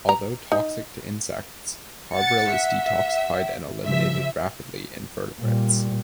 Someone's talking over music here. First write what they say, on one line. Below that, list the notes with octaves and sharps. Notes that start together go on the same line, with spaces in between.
Although toxic to insects, carbaryl is detoxified and eliminated rapidly in vertebrates.
A#5
D#4
F#5 A6 C#7
E5
C#3 F3 E5
A#2 G3